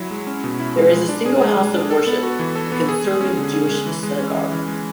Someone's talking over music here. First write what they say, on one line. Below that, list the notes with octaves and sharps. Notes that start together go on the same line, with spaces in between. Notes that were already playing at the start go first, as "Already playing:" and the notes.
There is a single house of worship, a Conservative Jewish synagogue.
Already playing: F#3 E4
G#3
C#4
B2
E4
G#3
G#3
D4
G#4
G#3
G#3
D4
A4
B3
F#4
E3
A4
B3
G#4
G#3
C#4
D3
G#4
G#3
E3
G#3
C#4
E3
E3
G#3